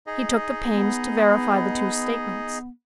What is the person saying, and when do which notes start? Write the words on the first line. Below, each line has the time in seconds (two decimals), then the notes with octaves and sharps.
He took the pains to verify the two statements.
0.07 D#4 G#4 D#5
0.71 B3